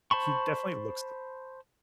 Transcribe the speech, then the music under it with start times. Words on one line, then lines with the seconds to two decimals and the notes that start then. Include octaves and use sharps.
he definitely looks the
0.11 C5 A5 B5 C#6